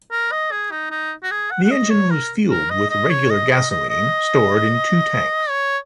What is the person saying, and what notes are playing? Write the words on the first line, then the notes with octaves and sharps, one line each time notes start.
The engine was fueled with regular gasoline stored in two tanks.
A#4
D#5
G#4
D#4
D#4
F#4
G#4
F#5
F#5
D#5
C#5
A#4
A#4
D#5
D#5
C#5
D#5
D#5
D#5
D#5
C#5